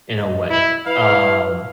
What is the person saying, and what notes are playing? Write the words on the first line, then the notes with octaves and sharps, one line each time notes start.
in a way, um,
D#5
E4
E4 B4 F5